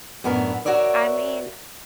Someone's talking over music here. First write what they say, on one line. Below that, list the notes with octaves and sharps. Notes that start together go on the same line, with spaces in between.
I mean,
F#2 A2 B3 D4 A#4
F#4 A#4 C#5 D5 E5